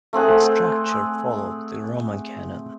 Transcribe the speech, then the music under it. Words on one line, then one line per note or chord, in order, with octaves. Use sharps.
Its structure follows the Roman Canon.
A3 C4 G#4 F#5